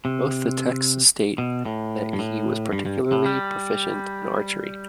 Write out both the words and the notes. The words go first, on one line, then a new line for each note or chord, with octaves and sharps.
Both the texts state that he was particularly proficient in archery.
C3
B2
A2
G2
A2
G2
G2
A2
G3